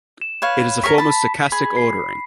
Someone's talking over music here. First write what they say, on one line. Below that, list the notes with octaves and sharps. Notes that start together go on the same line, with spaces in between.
It is a form of stochastic ordering.
E7
B4 C#5 F5
A#4 C#5 C#6 B6
A5 B5
G#4 B5
C7